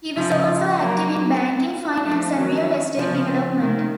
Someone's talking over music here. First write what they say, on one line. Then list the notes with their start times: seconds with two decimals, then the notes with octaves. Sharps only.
He was also active in banking, finance, and real estate development.
0.16 C#3 F3
0.79 F#3 A#3
2.04 F3 A3
2.35 D#3 F#3
2.97 C#3 F3
3.61 C3 D#3